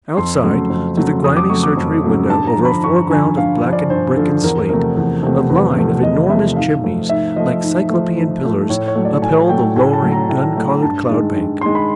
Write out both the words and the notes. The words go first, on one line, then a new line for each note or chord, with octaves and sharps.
Outside, through the grimy surgery window over a foreground of blackened brick and slate, a line of enormous chimneys like Cyclopean pillars upheld the lowering, dun-coloured cloud-bank.
F2 C6
C#3 F#3 A3
F2
C#3 F#3 A3
F2 D#6
D6
C#3 F#3 A3 C#6
D6
F2
C#3 F#3 A3
G2 A5
A#5
D3 F3
B5
G2 C#6
D3 F3 G#5
G2 F5
D3 F3
D5
G2 C5
D3 F3 A4
E2 A#4
C3 F3 A3 A#4
E2 A#4
C3 F3 A3
E2 B4
C3 F3 A3
E2 D#5
C3 F3 A3 E5
G#2 F5
F3 A3
G#2 E5
F3 A3 D#5
G#2
F3 A3
G#2
F3 A3
A2 C#5
C#5
F#3 A3
D5
A2 G#5
F#3 A3 G5
A2 G#5
A5
F#3 A3
A#5
A2
F#3 A3
G2 A5
D#3 G#3
G2
D#3 G#3 C6
B5